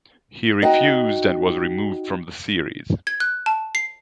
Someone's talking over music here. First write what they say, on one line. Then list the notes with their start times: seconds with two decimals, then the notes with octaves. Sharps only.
He refused and was removed from the series.
0.62 D#4 F#4 D#5 G5
3.07 G#6
3.20 F#6
3.46 A5
3.75 C7